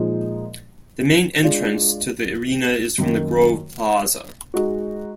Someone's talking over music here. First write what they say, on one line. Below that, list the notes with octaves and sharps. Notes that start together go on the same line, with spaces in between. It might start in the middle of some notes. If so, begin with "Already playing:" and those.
The main entrance to the arena is from the Grove Plaza.
Already playing: A#2 F3 G#3 D#4
G#3 D4 F4
F#2 D#3 F#3 A#3
G#3 D#4 F#4